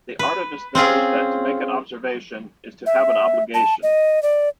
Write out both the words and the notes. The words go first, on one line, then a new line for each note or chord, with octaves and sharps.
The artivist knows that to make an observation is to have an obligation.
B4
C4 C#4 F4 G#4
E5
A5
D#5
D5